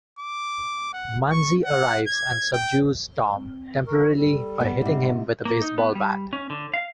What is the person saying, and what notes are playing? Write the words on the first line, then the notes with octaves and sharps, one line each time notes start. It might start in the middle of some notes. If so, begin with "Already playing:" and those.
Manzi arrives and subdues Tom temporarily by hitting him with a baseball bat.
D6
F#5
C#6
F#5
G#6
G5
C4
A#4 C#6
G3 A4
B3
G#2 C3 F#5
A#3
D#4
B3
G3
C#4
D3
F5